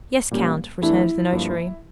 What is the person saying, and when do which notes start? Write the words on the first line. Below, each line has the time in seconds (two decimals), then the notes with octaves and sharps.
"Yes, count," returned the notary.
0.31 A#2 G3 A#3 C#4 G4
0.81 E2 E3 A3 D4 E4
1.32 G2 F3 A#3